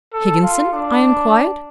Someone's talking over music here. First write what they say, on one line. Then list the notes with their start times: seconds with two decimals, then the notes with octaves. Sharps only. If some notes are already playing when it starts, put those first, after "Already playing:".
'Higginson?' I inquired.
0.13 A4
0.42 F4
0.72 D4